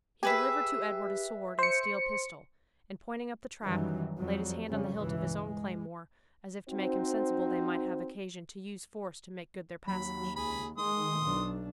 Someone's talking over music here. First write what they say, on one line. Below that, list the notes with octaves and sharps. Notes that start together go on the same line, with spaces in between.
He delivered to Edward a sword and steel pistol, and, pointing up the track, laid his hand on the hilt of his own claymore, as if to make him sensible they might have occasion to use force to make good their passage.
G4 G#4 B4 E5
C5 C#7
F#2 D#3 E3 F#3 G3
F2 F#3 G3
F2 C#3 G3 C#4
C#2 G2 B2 E3
G#3
C4 D#4 F#4 C5
D#2 F#3 B5
C#2 G#4 B5
D#3 G#3 C6 D#6
B1 D4